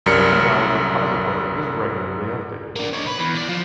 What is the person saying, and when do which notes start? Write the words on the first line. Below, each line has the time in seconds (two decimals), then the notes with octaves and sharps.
The Open Knowledge Repository is regularly updated.
0.06 C2 F#2 G3 A#4 F6 C#7
2.76 A#3 D4
2.93 D#4 C#5
3.06 B4
3.19 E2
3.35 E2 D5
3.48 F3